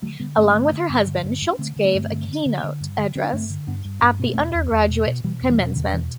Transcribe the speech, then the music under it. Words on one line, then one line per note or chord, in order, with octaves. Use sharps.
Along with her husband, Schultz gave a keynote address at the undergraduate commencement.
D3 F#3 A3
D3 G3 B3
G2 A3 C4
D3
D3
G2
D3
G2
G2
D4
D3 A3 C4
D3
A3 C4
G2
D3
D3
D3
D3
G2
D3
D3 C4
D4
G2 A3 C4
D3
G2 B3 D4
G2
G2 B3 D4
B2 C4
B3
E2 A3 C4
E2
E2
B2
B2
B2 E3 G3
E2
E3 G3
B2
E2 D3 F#3
B2 E3